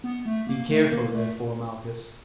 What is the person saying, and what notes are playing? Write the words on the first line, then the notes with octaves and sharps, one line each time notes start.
Be careful, therefore, Malchus.
B3
A3
A#3
A3
A#3
A3